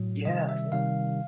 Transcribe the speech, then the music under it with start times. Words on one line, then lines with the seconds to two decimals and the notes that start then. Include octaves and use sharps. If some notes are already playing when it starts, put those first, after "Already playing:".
Yeah, yeah.
Already playing: A2 F#3
0.25 C3 D#3 G3 D#5
0.49 E5
0.72 C3 D#3 G3 F5